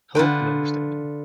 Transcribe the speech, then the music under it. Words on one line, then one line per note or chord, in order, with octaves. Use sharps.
Hope and understanding,
D3 F4 B4 G5